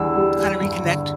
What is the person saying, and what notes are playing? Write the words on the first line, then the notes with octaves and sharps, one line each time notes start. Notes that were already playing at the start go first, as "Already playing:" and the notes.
kinda reconnect
Already playing: E2 D3 G3 D4 E6
G3
G3
G2
D3